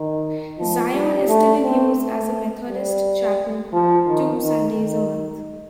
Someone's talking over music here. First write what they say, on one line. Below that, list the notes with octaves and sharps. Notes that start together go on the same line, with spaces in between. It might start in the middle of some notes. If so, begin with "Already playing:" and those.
Zion is still in use as a Methodist chapel two Sundays a month.
Already playing: D#3
F3
G3
A3
C4
A3
G3
F3
D#3
D#3
D#3